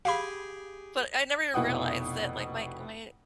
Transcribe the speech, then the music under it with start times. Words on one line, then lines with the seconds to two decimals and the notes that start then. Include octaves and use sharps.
But I never even realized that, like my my
0.05 G4 G#4 F5 G#5 B5
1.54 F1 B2 E4 F#5 G5 D#6